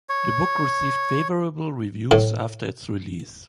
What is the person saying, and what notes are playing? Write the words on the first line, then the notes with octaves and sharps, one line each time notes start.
The book received favorable reviews after its release.
C#5
A2